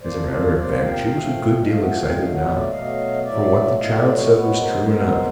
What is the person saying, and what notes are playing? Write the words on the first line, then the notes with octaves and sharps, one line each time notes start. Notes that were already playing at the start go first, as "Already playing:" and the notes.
As a matter of fact she was a good deal excited now; for what the child said was true enough.
C3 F3 A#3 C5 D5
C5 D5
C#5
C3 F3 A#3 C5 D5
F5 G5
A#2 F3 A3
A#2 F3 A3 D#5 F5
E5 F#5
F5 G5
B2 F#3 A3 D#5 F5
E5 F#5
D5 E5
B2 F#3 A3 D#5 F5
A2 F#3 A3 D5 E5
A2 F#3 A3 D#5 F5
D5 E5
C#5 D#5
C5
B2 G#3 B3 B4 C#5
A#4 C5
B2 G#3 B3 A#4 C5